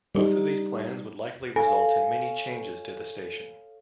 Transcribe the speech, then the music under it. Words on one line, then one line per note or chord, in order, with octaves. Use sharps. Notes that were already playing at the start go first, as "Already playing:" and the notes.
Both of these plans would likely result in many changes to the station.
G3 D#4
A4 C#5 D#5 F5 G#5